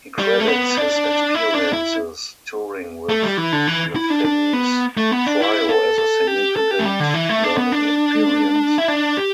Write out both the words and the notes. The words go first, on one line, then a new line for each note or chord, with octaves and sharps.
He credits his experiences touring with Metheny's trio as a significant learning experience.
G3
A3
B3
D4
E4
D4
E4
A3
G3
E3
D3
E3
E4
D4
D4
B3
A3
B3
D4
E4
A4
A4
G4
A4
G4
A3
G3
D3
E3
A3
D4
B3
D4
E4
D4
G4